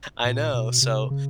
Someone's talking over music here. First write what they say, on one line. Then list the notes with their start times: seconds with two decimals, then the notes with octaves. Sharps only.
I know. So,
0.25 A#2
0.54 B2
0.82 C3
1.10 C#3